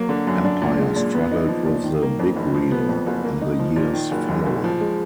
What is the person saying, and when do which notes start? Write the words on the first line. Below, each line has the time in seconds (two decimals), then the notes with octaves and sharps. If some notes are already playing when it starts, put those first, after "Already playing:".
Empire struggled with the "Big Reel" in the years following.
Already playing: F#3 A#3
0.09 D3
0.27 F#2
0.44 D4
0.62 A#2
0.79 G#3
0.96 A#2
1.14 B3
1.31 D#4
1.48 F3
1.66 A#2
1.84 D#3
2.02 A#3
2.19 F2
2.36 F1
2.54 F3
2.71 B3
2.89 F2
3.06 F#1
3.24 A#3
3.41 D#4
3.59 F3
3.76 A#2
3.93 D#3
4.11 F#1
4.28 F#2
4.46 F#1
4.64 F3
4.81 G#3